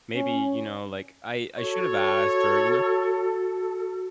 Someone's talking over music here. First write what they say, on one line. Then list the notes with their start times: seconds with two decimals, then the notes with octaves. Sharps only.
maybe, you know, like, I I should have asked or, you know?
0.14 C#4
1.58 F#4 A4 C#5